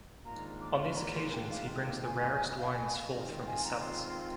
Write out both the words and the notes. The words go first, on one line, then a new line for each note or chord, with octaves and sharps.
On these occasions he brings the rarest wines forth from his cellars.
G#2 D#3 A#3 D4 F4 A#5
D6
C6
A#5
C6
G5
F5
G5
G#5
F5
G#5
F5
D#3 G#3 C4 F4 D#5
G5
G5
G#5
A#5
C6
C6